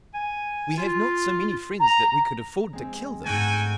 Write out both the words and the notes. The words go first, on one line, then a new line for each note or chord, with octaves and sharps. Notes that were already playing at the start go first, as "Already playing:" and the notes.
"We have not so many friends that we could afford to kill them."
G#5
F4
A#5
G#3 C4
G#2 A3 F#4 G5 G#5